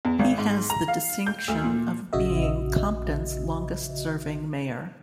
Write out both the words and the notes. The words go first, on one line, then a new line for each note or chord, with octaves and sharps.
He has the distinction of being Compton's longest serving mayor.
E2
G#1
G#2
A#5
F5
G6
D2
A#2
A#1 C#3 F#4 D#5 E5